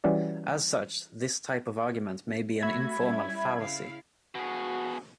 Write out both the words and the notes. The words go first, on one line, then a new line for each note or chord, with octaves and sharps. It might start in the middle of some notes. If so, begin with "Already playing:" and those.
As such, this type of argument may be an informal fallacy.
E3 G3 C#4 F#4 D5
A3 F#4 E5 B5 G#6
G3 C#4 E4
C#3 E4 F5
B2 F#4 G#4